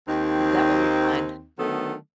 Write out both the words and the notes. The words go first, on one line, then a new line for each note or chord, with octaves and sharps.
That will be fun.
D#2 C4 D#4
D3 D#3 F#3 A3 B3 A4